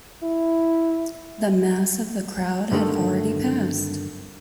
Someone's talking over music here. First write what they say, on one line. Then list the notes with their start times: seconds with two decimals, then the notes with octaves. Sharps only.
The mass of the crowd had already passed.
0.23 E4
2.72 G2 D3 D#3 G#3 A3